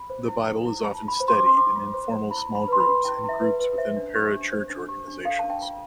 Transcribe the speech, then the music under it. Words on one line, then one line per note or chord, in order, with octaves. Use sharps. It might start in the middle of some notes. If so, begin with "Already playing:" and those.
The Bible is often studied in informal small groups, and groups within parachurch organizations.
Already playing: B5
C5
E4
A4
E4
F4 A5
F4
B5
C5
C6
D6
C5
C6
F4 D6
F4
C5
C5
E4 B5
E4
B5
B4 C6
B5
B4
E4 G5
E4
E5
B4
B4
C5 E5
D4
G4
D4
C5
D4
G4
D4
A4 F5
D4 A5
G5
F4